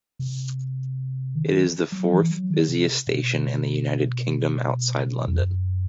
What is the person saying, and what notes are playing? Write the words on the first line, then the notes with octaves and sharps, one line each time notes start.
It is the fourth busiest station in the United Kingdom outside London.
C3
D#3
F#3
E3
F#3
D#3
C3
B2
E2
F#2